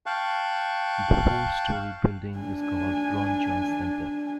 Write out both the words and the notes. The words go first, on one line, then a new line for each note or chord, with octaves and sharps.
The four-story, building is called the Ron Joyce Centre.
F5 G5 A5 C#6 F#6
D4 G#5